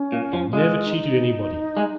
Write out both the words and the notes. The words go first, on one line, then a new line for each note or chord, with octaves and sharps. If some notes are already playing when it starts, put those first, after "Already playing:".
He never cheated anybody.
Already playing: C#4
A#2
F3
G#3 F4
D#4
G#3